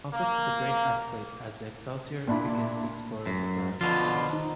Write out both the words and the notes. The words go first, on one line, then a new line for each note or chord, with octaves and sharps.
Conflicts with the Grey escalate as the "Excelsior" begins to explore the Briar Patch.
A#3
A#2 D4 E4 B5
F#2
B2 D3 F3 F4
D#3
D#4